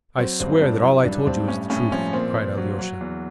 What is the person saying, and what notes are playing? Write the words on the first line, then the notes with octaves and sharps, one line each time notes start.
"I swear that all I told you is the truth," cried Alyosha.
F#3 C4
G2 C4
G2 D4
F#3 E4
G2 D4
G2 C4
A2 C#4
A2 C#4
F3 C#4
A#2 C4
A#2
F#3
F#3
E2